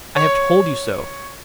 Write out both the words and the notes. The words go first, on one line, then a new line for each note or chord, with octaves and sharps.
I have told you so.
C#5